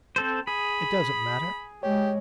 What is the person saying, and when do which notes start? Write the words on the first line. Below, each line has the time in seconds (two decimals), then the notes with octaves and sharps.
'It doesn't matter.
0.16 C4 A4 C5
0.47 G#4 B5
1.83 G#3 G4 C#5